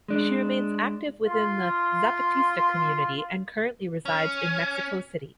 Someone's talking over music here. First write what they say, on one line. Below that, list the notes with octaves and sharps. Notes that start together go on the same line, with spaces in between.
She remains active within the Zapatista community and currently resides in Mexico City.
G#3 D4
F4 C6
C#4